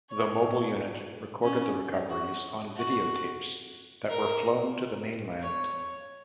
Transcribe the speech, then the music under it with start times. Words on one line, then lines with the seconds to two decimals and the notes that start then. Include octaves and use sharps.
The mobile unit recorded the recoveries on videotapes that were flown to the mainland.
0.10 C#5
1.43 C#4
2.09 F#4
2.76 F#4
4.09 A#4
5.42 C#5